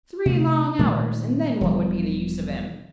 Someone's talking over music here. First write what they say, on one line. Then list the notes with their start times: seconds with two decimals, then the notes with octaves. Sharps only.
Three long hours, and then what would be the use of him?
0.26 C3 A3
0.79 A#2 D#3 G#3 A3
1.61 E1 F3 G3